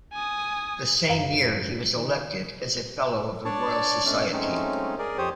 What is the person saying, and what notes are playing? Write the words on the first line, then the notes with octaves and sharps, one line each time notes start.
The same year he was elected as a Fellow of the Royal Society.
G#5 D#6
F#2 F5 A#5
D#3
D4 C#5 D5 A5
B2 A3 C#4 D4
F#3 G#3 A3 C4 C#4 D#4
G#4 A#4 D5
F2 G4 C5 C#5 D#6